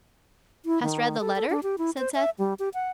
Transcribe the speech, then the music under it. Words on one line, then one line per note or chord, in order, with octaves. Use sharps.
"Hast read the letter?" said Seth.
E4
D#3
A4
A4
D4
G4
E4
C5
E5
G3
G4
F#5